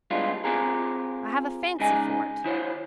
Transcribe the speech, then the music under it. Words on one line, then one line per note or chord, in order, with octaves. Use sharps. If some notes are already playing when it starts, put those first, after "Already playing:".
I have a fancy for it.
A2 G3 G#3 B3 D4 F4
C4 F4 G4 G#4 A#4
C#2 C#3 G#3 D#4 G#5
D#3 E4 C5 C#5